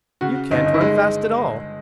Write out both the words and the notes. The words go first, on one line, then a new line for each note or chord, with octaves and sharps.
You can't run fast at all.
C#3 F#4
G1 D#4
D#4
E4
G#3 D#4